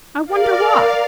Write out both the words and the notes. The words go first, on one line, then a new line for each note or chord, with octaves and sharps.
I wonder why.
A#4 D5 F5